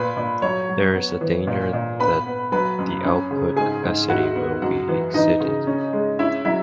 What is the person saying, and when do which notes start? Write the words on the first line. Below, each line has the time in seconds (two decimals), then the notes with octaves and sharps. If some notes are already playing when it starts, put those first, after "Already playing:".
There is a danger that the output capacity will be exceeded.
Already playing: A#2 B4 B5
0.17 A#2
0.42 F#3 C#5 C#6
0.69 F#3
0.95 B3
1.21 E3
1.47 A#2
1.73 A#2
1.99 B3 B4 B5
2.27 B3
2.52 F#3 B4 B5
2.79 F#2
3.05 C#4
3.31 C#3
3.56 G#2 G#4 G#5
3.83 G#2
4.09 E4 F#4 F#5
4.36 B3
4.62 F#2 F#4 F#5
4.89 E3
5.14 E3 D#4 D#5
5.40 C#3
5.67 C#4
5.93 G#3
6.19 C#4 E4 E5
6.45 F#3 E4 E5